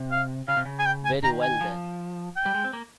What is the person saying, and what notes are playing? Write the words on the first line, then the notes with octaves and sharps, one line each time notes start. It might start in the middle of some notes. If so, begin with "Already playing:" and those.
Very well, then.
Already playing: C3
F5
C#3 F5
C3
C#3
G#5
G5
G#5
D#3 A#5
G#5
F3
G5
G3
G#3
C4
A#3